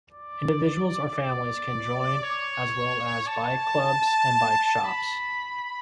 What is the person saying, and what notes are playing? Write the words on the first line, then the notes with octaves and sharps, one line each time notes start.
Individuals or families can join, as well as bike clubs and bike shops.
D5
D5
C#5
A5
B5